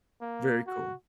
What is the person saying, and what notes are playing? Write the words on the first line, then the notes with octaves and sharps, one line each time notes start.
Very cool.
A#3
F#4